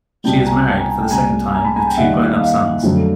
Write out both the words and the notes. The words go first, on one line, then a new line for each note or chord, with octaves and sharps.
She is married, for the second time, with two grown-up sons.
C2 B2 G3 G5 A5
G#5 A#5
G5 A5
G#5 A#5
G#5 A#5
G5 A5
C2 A#2 G3 G#5 A#5
G#5 A#5
A5 B5
G#5 A#5
G5 A5
D#2 D#3 G3 E5 F#5
D#5 F5
F2 D3 F#3 A3 C4